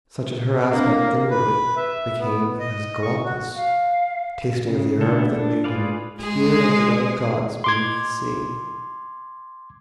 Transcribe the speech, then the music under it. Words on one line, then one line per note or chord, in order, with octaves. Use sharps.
Such at her aspect inwardly became As Glaucus, tasting of the herb that made him Peer of the other gods beneath the sea.
A#3 C4 D4
B4
E5
B3
D#5
C#6
F#4
F5
C#3
A3 B3 D4 A4
D4
F4 G#4 B4 D5 F5
G#3 G#4
C6 D6 G#6